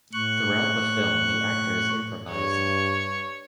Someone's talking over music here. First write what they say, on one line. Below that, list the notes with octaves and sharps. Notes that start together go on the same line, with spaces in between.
Throughout the film the actors improvised.
A2 C#6 F#6
G2 C#5